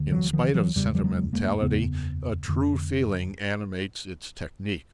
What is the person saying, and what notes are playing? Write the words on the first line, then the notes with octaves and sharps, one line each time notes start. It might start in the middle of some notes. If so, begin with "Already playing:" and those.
In spite of sentimentality, a true feeling animates its technique.
Already playing: D2 D3
E3 F#3
D#3 F3
E3 F#3
F#1 E2 C#3 G3
G#3
F3 G3
F#3 G#3
G#3 A#3
F#1 E2 C#3 B3
F1 F2 D3